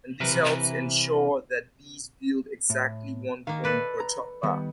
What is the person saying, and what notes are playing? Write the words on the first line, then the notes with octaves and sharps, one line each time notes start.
This helps ensure that bees build exactly one comb per top bar.
C3 E3 A#4 B4
A2
D#3 A#3 F5
A4 B4 D5
A#5
D#3 G3 B3